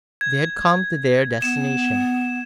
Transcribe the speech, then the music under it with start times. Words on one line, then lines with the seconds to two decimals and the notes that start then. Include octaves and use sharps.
They had come to their destination.
0.21 G#6
1.42 B3 E7